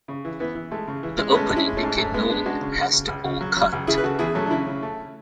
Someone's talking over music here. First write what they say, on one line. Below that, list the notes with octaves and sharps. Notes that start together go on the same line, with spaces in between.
The opening became known as "The Old Cut".
C#3
E3
E3 B3
E3
G#3 A3
C#3
E3
G#3
B3
G#3 A3 C#4
G#3 D4
C#4 E4
G#3
A3 C#4
G#2
G#2 A3
G#3 B3
G#3 B3 D4
G#3 D4 F#4
C#3
C#3
C#3
C#2
C#3
F#3
F#3
C#2
C#3 E4 G#4
B4
C#3 F#4 A4
E2 E4 G#4
F#3 A3 C#4
D4
C#3 C#4 E4
C#3
A3